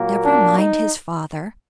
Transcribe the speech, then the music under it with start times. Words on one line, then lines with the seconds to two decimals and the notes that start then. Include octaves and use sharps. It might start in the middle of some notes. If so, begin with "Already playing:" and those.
"Never mind his father."
Already playing: A#2 F#3 A#3
0.23 D4
0.57 D#4